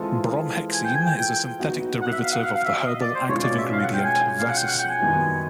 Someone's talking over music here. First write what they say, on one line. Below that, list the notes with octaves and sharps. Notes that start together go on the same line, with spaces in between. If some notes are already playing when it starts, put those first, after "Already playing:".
Bromhexine is a synthetic derivative of the herbal active ingredient vasicine.
Already playing: E3 G#3 C4 F4 A4
G#5
G5
G#5
G5
G5
F#3 B3 D#4 F#4
F#5
E5
F5
F#5
F5
F5
E5
D#5
D5
C5
B2 G#3 C#4 F4 C#5
D5
E5
F5
F#5
G5
G#5
F5
F#5
G5
F#5
G5
G#5
F#2 D#3 G3 B3 D#4